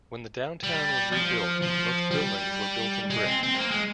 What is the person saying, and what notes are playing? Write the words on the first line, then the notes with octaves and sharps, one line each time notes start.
When the downtown was rebuilt most buildings were built in brick.
G3
F3
F3
G3
G#3
C4
C4
G#3
A#3
G#3